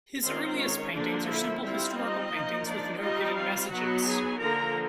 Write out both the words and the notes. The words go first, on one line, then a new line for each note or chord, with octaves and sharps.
His earliest paintings are simple historical paintings with no hidden messages.
D#3 G#3 C4 C#4 F4 C5
C#4 C#5
D3 F3 A#3 D4 D5
E4 E5
G3 C4 E4 F4 E5
D#4 D#5
F3 A#3 D#4
D4 D5
G3 C4 D#4 F4 D#5
F4 F5
F#3 B3 D#4 F#4 F#5
G#4 G#5
D3 F3 A#3 A#4 A#5